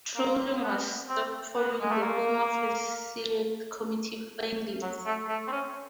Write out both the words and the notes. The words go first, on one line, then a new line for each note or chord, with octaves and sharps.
Trawling was stopped following the Home Affairs Select Committee findings.
A#3
B3
C4
B3
G#3
A3
A#3
F#3
A3
A3
C4
C#4